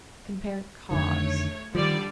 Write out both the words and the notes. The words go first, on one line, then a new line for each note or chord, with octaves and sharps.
Compare CAUSE.
F2 D3 D#3 A3 C#5
D3 D#3 F3 G3 D5